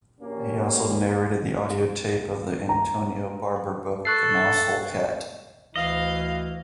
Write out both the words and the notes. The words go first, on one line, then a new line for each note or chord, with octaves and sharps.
He also narrated the audio tape of the Antonia Barber book "The Mousehole Cat".
A#1 A#3 C#4 G4
A#5
A4 C#6 F#6 C7
D2 E3 D#5 F5